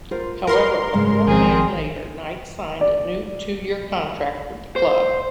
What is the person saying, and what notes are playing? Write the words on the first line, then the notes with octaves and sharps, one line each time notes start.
However, a fortnight later, Knight signed a new two-year contract with the club.
F4 A#4 C5
A#4 B4 C6
G#2 C#3 G#3
A1 D#3 F3 C4 G#4
D5
C5